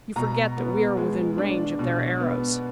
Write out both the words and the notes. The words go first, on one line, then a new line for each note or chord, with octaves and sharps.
"You forget that we are within range of their arrows."
B2 A#5
B3
G#3
D4
B2
B3